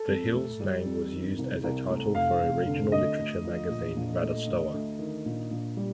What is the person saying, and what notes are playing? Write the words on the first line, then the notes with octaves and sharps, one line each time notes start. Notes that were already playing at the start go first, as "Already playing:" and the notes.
The hill's name was used as a title for a regional literature magazine, "Radostowa".
Already playing: A4
F2
A3
G3
F2
D#3
C2
C2
A3
F1 F5
F1
D3
D2 D#5
D2
F3
A#1
A#1
A3
D2
D2
D#3
A#1
A#1
G3